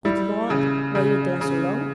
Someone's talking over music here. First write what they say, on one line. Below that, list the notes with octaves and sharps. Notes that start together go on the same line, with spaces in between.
"Good Lord--were you there so long?"
G3 E4
C#3
C#3
C#3